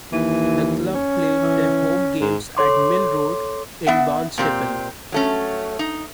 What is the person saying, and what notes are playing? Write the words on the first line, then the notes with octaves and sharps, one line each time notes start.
The club play their home games at Mill Road in Barnstaple.
D#2 E3
C#4
E3
G#2
A4 C#5 C6 D6
B3 E5 F#5
A#2 C4 G4
F#3 A3 C#4
D#4